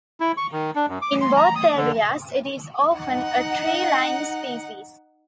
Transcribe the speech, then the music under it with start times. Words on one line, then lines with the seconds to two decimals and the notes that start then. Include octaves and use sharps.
In both areas, it is often a tree line species.
0.20 E4
0.37 C#6
0.52 D#3
0.75 D4
0.88 F#2
1.02 D6
1.21 C6
1.36 A#5
1.56 D#6
1.76 D3
2.94 D#4 F#5